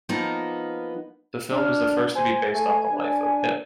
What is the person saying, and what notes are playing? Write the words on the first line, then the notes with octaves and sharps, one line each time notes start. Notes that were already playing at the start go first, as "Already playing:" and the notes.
The film is the first to be based on the life of Ip.
F3 A#3 B3 D#4
D4 F6
C5 G#5
A3
D4